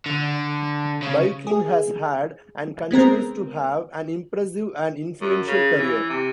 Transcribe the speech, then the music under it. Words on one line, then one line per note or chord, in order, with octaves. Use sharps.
Boykin has had, and continues to have, an impressive and influential career.
D3
C#3
G#4
G#3 B3 C4 A#4
F#2
C#3
E3
C3